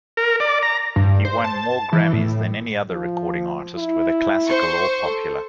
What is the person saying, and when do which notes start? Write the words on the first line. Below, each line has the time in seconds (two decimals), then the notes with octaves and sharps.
He won more Grammys than any other recording artist, whether classical or popular.
0.17 A#4
0.40 D5
0.63 A#5
0.96 G2
1.25 C5
1.44 A5
1.93 E3
2.13 A2
2.89 F3
3.77 E4
4.44 C5 C#6
5.05 A4